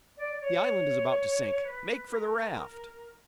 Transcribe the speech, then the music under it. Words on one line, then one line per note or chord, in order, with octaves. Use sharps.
"The island is about to sink! Make for the raft!"
D5
D5
C#5
B4
B4
A#4